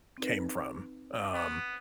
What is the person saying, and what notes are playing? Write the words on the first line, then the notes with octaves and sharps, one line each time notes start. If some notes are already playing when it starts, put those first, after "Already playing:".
came from. Um.
C4 D#4 B4
B3